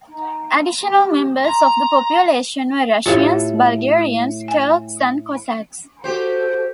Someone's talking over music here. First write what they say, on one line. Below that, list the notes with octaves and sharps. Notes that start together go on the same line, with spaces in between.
Additional members of the population were Russians, Bulgarians, Turks and Cossacks.
D#4
G4
A#5 C6
A2 F4 G4 A4 F5
G#5
F#4 G4 A4 C5